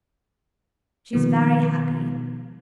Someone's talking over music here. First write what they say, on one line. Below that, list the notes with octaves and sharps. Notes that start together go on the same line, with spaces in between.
She's very happy.
B2 D#3 F3 B3